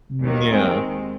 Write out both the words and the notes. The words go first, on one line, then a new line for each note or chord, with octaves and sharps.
Mm, yeah.
D#2 D#3
G#3 C4